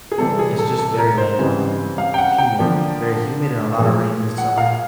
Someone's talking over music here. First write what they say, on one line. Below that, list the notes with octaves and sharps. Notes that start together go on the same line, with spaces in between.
it's just very like, um, humid, very humid and a lotta rain in the summer.
G#4
C3 E3 G3 C4 A4
G#4
A4
A4
A#4
C5
C#3 E3 G3 C4
F5
G5
F#5
G5
D3 F3 A#3 D4
A#2 F3 G#3
F#5
F5